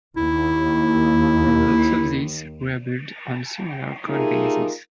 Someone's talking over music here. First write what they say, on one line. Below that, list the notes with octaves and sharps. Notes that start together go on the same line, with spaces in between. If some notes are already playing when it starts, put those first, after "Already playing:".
Both of these were built on similar codebases.
D#2 E4
A3 D#4 F4 G4 G#4 A#4